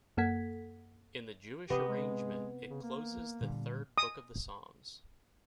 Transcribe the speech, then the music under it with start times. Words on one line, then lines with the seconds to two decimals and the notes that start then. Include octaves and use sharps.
In the Jewish arrangement it closes the third book of the Psalms.
0.17 F#2 A#3 A4 F#5 G#6 B6
1.70 C3 B3 G4 D#5
1.89 G#3
2.70 C#3
2.83 A#3
3.41 A#2 D3 G3
3.98 D#6